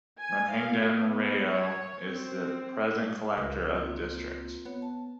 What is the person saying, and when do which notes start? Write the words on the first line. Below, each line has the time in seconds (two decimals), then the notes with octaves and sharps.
Ranghunandan Rao is the present collector of the district.
0.18 G#5
0.49 F5
0.99 B3
1.52 C#5
2.07 C4
3.37 C#2 F#4 A#4 B4
3.75 A#3 C4 F4
4.66 B3 C#5
4.82 A5